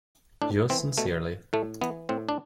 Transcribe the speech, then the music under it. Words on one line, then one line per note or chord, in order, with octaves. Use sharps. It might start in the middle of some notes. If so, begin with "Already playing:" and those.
Yours sincerely.
A2 D4
E3 C4
B2 A3
A2 A3
E3 B3
A2 C4
D4